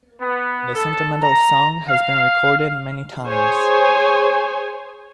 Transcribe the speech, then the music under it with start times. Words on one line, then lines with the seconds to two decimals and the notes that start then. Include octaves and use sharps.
The sentimental song has been recorded many times.
0.21 B3
0.75 A4
1.22 A#5
1.89 F5
3.25 G#4 C5 C#5 G#5